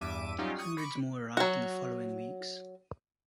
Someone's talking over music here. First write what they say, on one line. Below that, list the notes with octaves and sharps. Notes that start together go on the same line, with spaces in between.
Hundreds more arrived in the following weeks.
E2 G2 E5 D6 D#7
F#3 G3 C#4 D#4 F4 G4
C#6 D#6 D#7
B5 C#6 D6
F#3 F#4